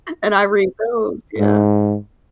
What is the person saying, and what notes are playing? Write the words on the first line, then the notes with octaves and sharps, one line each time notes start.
and I read those, yeah.
G#2